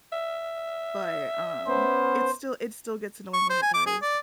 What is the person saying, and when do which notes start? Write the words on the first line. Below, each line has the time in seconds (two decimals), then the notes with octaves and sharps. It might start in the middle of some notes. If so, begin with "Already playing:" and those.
but, um, it still it still gets annoying when it does.
0.12 E5
1.67 B3 C#4 C5
3.34 C#6
3.50 C5
3.62 G#5
3.74 D6
3.87 G#4
4.02 D5